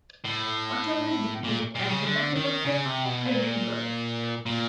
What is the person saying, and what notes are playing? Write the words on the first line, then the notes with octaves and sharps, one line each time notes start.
Otto was defeated at the Battle of the Grebbeberg.
A2
A#2
A#2
C#3
D3
D#3
C#3
C3
B2
A#2
A#2